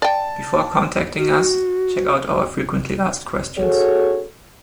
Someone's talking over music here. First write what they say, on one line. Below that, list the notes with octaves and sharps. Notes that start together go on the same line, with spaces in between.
Before contacting us, check out our frequently asked questions.
D5 G5 A5
F#4
F#4 G#4 A4 C#5